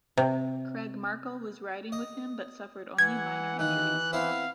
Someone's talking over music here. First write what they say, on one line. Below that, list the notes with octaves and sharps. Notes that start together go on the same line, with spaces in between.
Craig Markle was riding with him but suffered only minor injuries.
C3
D#5
E3 F#5 G#6
D#2 D#3 F#6
B3 C4 E4 F5